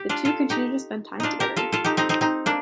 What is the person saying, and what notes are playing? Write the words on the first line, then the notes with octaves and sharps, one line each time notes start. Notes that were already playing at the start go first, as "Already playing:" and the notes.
The two continue to spend time together.
Already playing: G4
D4 F4
F4 A4
D#4 G4
D4 D#4 F4
G4 A#4
F4 A4
F4 A4
D#4 G4
C4 D#4
C4 D#4
C4 D#4
A#3 D4